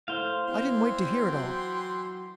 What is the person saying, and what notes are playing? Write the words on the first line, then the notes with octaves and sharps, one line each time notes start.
I didn't wait to hear it all.
A2 C5 F5
E2 E3 G5 C6
F#3